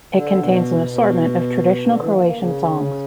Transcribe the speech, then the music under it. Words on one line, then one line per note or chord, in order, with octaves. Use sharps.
It contains an assortment of traditional Croatian songs.
D3
B2
B2
D3
E3
A#3
A#3
C#3